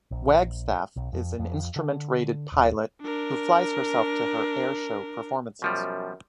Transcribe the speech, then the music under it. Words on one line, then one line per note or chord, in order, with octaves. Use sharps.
Wagstaff is an instrument-rated pilot who flies herself to her airshow performances.
A#1
B1
F2
F2
D3
D#1
D4 A#4
F#2 B2 F3 G3